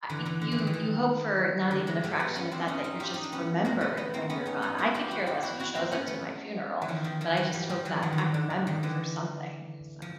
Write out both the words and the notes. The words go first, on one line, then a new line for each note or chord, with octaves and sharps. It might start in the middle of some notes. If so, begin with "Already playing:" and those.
uh, y you, you hope for not even a fraction of that, that you're just remembered when you're gone. I could care less who shows up to my funeral, but I just hope that I'm remembered for something, so.
D3 E3
D3 E3
D3
E3
D#3
E3
D#3
D3 E3
F#3 G#3
G3 A3
A3 B3
B3 C#4
C4 D4
C#4 D#4
D#4 F4
F4 G4
D#4
D4
B3 C#4
G#3 A#3
A3 B3
A3 B3
A#3 C4
B3 C#4
C#4 D#4
D#4 F4
E4 F#4
F4 G4
E4 F#4
F4 G4
E4 F#4
E4 F#4
A#3 C4
B3 C#4
A3 B3
E3
D#3 F3
D#3 F3
D#3 F3
E3 F#3
F3 G3
F3 G3
E3 F#3
D#3 F3
D3
D#3
D3
D3
D#3
D3 E3
F3